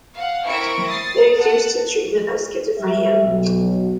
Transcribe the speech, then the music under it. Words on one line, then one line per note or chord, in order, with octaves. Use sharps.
It is used in the treatment of schizophrenia.
F5 F#5
C4 E4 A#4 E5 C#6 D7
D#6 A6 C7
F#5 A5
G3 G4 E5
B1